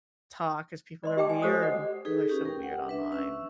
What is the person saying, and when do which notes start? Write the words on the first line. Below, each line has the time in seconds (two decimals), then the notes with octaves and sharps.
talk 'cause people are weird and people are so weird online.
1.03 D5 D#5 C6
1.17 G4 D#5 E5 G5 A5 D6
1.29 G#5
1.42 G4 A4 C5 C#5 F5 D#6
1.61 F#4 D5 D#5 F#5
2.05 D#4 G#4 A4 B4
2.29 C#4 G4
2.45 A#4 G5
2.63 F#5
2.88 D4 B4 E5
3.12 C#4 E5 E6